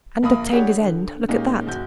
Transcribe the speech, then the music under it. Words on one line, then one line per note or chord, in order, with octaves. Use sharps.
"And obtained his end; look at that."
A#1 A#3 B5 D#6
D4 G4 G#4 C#5 F#5
D3
A#2 G#3 A#3 C#4 D#4 G4
F#1 F#4 G6